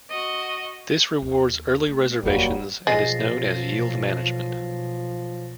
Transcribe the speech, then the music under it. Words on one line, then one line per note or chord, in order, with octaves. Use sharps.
This rewards early reservations, and is known as "yield management".
F#4 D#5
D#2
A3
F1 D#2 F#3 G3 A#3
B1 F3 G#3 A6 A#6 C7